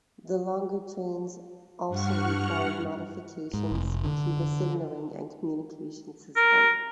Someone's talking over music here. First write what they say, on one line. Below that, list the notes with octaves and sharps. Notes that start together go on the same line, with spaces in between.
The longer trains also required modifications to the signalling and communication system.
G2 F#5 C#6 F6
G#2
F1
D3
A#4